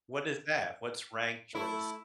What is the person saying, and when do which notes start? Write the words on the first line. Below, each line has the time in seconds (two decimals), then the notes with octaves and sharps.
What is that? What's "rank choice"?
1.55 A3 E4